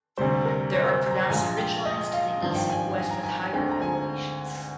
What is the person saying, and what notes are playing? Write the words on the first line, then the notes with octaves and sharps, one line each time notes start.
There are pronounced ridgelines to the east and west with higher elevations.
D2 C3 G3 C5
A#4
C5
A#4
C5
A#5
A#1 A#2 G#3 G#5
G5
D#5
F5
G#1 G2 F3
G5
G#5
G#5
A#5
G#5
G#5
D2 D3 G#3 C4 G5
A#5
G#5